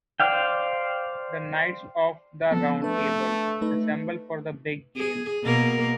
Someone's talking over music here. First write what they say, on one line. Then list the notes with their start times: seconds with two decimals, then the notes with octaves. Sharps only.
The Knights of the Round Table assemble for the big game.
0.20 C5 D5 F5 G5
2.51 F3 B3 C4 A4
2.82 A3 D4 B4
3.61 A3 D#4 B4
4.97 G#4
5.43 B2 A#3 A#4